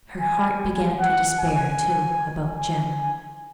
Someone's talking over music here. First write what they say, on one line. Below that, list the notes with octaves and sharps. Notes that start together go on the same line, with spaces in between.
Her heart began to despair, too, about Jem.
G#5
F#5
G#5
G#5